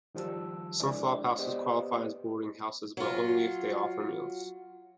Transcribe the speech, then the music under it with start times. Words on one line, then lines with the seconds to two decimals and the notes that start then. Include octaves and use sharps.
Some flophouses qualify as boarding houses, but only if they offer meals.
0.15 D#3 F3 G3 A5 E6
0.80 G#3 C4 D4 E4 G#4 D5
1.38 B3 G4 B4 C5 D5 D#5
2.97 F#3 F4